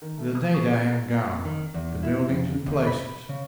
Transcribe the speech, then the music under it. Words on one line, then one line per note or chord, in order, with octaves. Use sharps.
The data have gone, the buildings and places.
D#3
A3
D#6
C#6
G#4
A#4
D#3
E2
E4
F2
D#2
B5
C#3